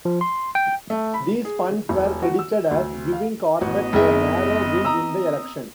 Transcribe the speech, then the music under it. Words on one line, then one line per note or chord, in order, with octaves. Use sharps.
These funds were credited as giving Corbett a narrow win in the election.
F3
C6
G5
A3
B5
G#4
E1
F#4
E6
D2
F5
A1 B3 F#4 D#5
F#1 C4 G#4 E5
A#5 D#6 E6